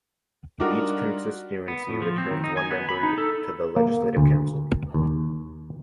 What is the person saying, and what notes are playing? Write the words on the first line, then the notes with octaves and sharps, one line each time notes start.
Each constituency returns one member to the Legislative Council.
G3 D4 D#4 F4 F#4 A#4
B3
A2
F3
C4
D#3
D#4
G#5
B3
B5
D#4
A4
A#3
D2
D#2